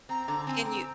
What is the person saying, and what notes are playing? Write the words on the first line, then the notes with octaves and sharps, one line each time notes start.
Can you
C4 A#5
D3 A#5
C4 G#5
C4 A#5